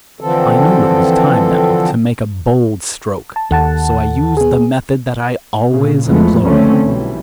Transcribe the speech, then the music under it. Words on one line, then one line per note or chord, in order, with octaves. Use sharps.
I knew it was time now to make a bold stroke; so I used the method that I always employ.
D3 E3 F3 C4 A4
A5
D#2 A4 F#5 A5
B3 G#4
A#2 C#3
F2 E3 F3 G#3 A3 B3
C#2 D3 A3 C4 C#4
B1 E3 G3